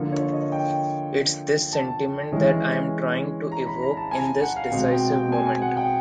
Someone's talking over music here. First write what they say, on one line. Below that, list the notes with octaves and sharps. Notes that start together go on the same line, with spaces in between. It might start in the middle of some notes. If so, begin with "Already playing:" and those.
Its this sentiment that I’m trying to evoke in this decisive moment.
Already playing: D3 F3 A#3
C#5
D#5
G5
A5
E3 G#3 C#4
A#5
B5
A#5
A5
G#5
F#5
F5
B2 G#3 C4 F#5
G5
G5
G#5
G#5
F#5
G5